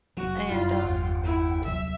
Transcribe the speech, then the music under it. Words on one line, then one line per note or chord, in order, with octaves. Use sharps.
and, um,
F1 F#3 F#4
F#2 E4 F4 D5 B5
G1 E2 F#5 G5
E4
D#1 C2 F#3 E5